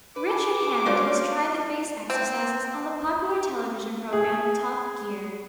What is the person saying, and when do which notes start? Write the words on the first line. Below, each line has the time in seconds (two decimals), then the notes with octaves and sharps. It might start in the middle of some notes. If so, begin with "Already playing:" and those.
Richard Hammond has tried the face exercises on the popular television program Top Gear.
0.16 B4 D6
0.86 C#4 D4 F4 F#4 C5 D5
2.10 C4
4.13 G#4